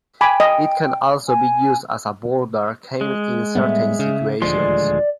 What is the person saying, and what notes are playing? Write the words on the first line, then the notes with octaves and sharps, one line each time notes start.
It can also be used as a border came in certain situations.
G5 G#5 B5 D6
D#5
G#5
G#3
A2 G3 B3 E5
C#3
D#1 D2 F3 G#3 D5 C6